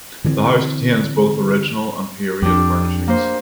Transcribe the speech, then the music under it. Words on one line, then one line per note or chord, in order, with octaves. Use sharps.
The house contains both original and period furnishings.
D3 E3 G#3 C4
F2 D4 G4
A#3 C5